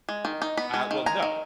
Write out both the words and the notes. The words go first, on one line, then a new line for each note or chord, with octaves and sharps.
Uh, well, no.
G#3
D#3
D#4
B3 B5
G#3
D#3
G#3 A#5
D#3